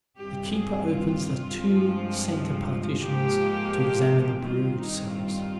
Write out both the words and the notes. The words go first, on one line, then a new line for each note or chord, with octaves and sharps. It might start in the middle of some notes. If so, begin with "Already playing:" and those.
The keeper opens the two center partitions to examine the brood cells.
G2 D#3 G3 C4 G4
G#4
F4
G2 F3 G#3 C4
G#2 F3 A#3 G4
G2 D#3 G3 C4 F4
D#4
F4